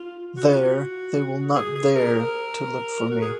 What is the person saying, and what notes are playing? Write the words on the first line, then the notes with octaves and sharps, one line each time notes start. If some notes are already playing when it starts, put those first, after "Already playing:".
There they will not dare to look for me.
Already playing: F4
F#4
F4
F#4
G#4
G#4
A#4
A#4
F#4
G#4